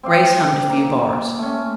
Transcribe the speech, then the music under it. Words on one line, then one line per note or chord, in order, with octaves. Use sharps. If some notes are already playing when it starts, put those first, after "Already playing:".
Grace hummed a few bars.
C4 D5 F5
G5
A#3
A3 C#4